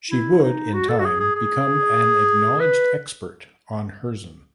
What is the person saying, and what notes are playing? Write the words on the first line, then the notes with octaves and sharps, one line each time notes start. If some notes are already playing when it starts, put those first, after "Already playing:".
She would in time become an acknowledged expert on Herzen.
E4
D#4
F#4
A4
F#4
G#4
G#4
G#4
B4